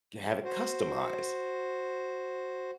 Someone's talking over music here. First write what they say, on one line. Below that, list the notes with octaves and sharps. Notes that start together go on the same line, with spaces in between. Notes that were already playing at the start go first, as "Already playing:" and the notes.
ge have it customized.
F#4 C5